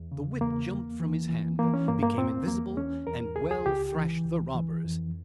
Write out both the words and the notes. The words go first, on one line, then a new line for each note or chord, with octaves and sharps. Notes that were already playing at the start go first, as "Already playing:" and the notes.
The whip jumped from his hand, became invisible, and well thrashed the robbers.
Already playing: E2
C#3
E2 A#3
E2
E3
E3
E3 A#3
C#4
G2 A#3
A#3
E2 C4
E2 A#3
E2 C#4
E2 A#4
C#2 G#4
G#4
C#2 G4
E3
C#2
E3
F2